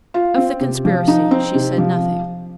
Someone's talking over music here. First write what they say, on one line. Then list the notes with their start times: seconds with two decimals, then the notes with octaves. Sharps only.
Of the conspiracy she said nothing.
0.14 F4
0.38 C4
0.61 C3
0.85 F3
1.08 D#4
1.31 C4
1.54 C3
1.78 F3